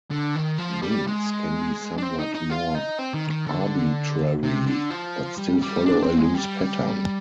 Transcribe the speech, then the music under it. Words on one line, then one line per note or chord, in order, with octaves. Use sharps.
Names can be somewhat more arbitrary, but still follow a loose pattern.
D3
D#3
F3
G3
G#3
D4
C4
D#4
D#4
F4
D#4
C4
D#3
D#3
D3
C3
D3
F3
G3
G3
D4
C4
G#3
G3